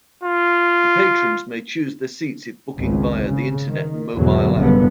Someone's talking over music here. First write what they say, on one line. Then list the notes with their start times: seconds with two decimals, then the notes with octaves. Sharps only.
The patrons may choose their seats if booking via the Internet and mobile app.
0.23 F4
2.78 G#1 C#2
3.27 C#3
3.68 D#3
4.16 E2 G#2 B2 D3 F#3
4.57 F#1 F#2 A2 D3 G3 B3